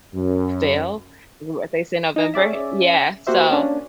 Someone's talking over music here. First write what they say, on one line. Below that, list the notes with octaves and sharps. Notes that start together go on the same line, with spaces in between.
fell ooh, if they say November Yeah, so
F#2
D#4 G#5 A#6
C#4 G#4 D5 E5
A#3 F#4 G4 C5 E5
A#3 C#4 D4